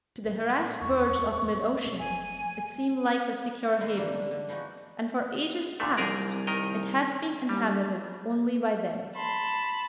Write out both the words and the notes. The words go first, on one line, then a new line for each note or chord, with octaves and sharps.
To the harassed birds of mid-ocean, it seemed like a secure haven, and for ages past it has been inhabited only by them.
A1 D#4
D1 E2 C#6
C2 B2
F#1 A3 G#5
G#2 D#3 D#4 B4 C6
G#2 D3 G3 A#3 F5
D4
D3
E3 F3 B3 D#4 F#4
A#2 D3 A3
C2 G#4 A#4 D5
D#3 A#4 D#5
G2 G3
A5 B5 C6